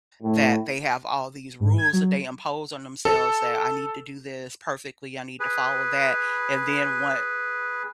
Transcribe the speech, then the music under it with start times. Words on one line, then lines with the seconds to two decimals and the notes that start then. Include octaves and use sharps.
that they have all these rules that they impose on themselves that "I need to do this perfectly, I need to follow that," and then one
0.22 A2
1.60 G#2
1.78 G#6
1.93 F#3
3.05 A4
5.40 G#4 B4